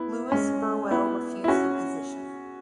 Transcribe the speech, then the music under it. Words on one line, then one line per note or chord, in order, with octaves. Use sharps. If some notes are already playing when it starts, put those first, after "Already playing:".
Lewis Burwell refused the position.
Already playing: B3 E4
G#3 C#4
B3 E4
E4
C#4 F#4